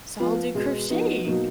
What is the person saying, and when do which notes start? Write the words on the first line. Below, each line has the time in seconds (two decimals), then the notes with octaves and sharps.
so I'll do crocheting."
0.20 F3 B3 F4
0.55 B2 G#3 B3
0.90 F3 B3 D#4 F#4
1.25 B2 F#3 A#3 D#4